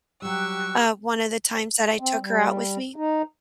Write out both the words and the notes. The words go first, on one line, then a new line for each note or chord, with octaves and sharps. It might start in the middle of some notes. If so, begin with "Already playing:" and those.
um, one of the times that I took her out with me.
F#3 G3 G4 G5 C#6 E6 F#6
C4
G3
D#4